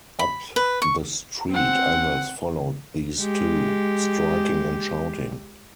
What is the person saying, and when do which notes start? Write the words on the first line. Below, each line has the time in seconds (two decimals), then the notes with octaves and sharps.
Up the street others followed these two, striking and shouting.
0.19 B5
0.56 B4
0.82 C#6
1.49 C4 F#5
3.20 G#3 G4